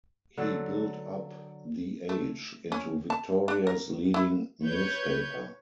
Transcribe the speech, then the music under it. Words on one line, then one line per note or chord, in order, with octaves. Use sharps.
He built up "The Age" into Victoria's leading newspaper.
D3 F#3 A4
A3
C#4
A5
D4
A#4
E4
B4 C#5 G6 C#7